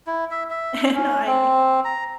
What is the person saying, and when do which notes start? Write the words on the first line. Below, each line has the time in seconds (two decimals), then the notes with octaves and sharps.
and I
0.07 E4
0.31 E5
0.50 E5
0.95 C#4
1.26 C4
1.85 A#5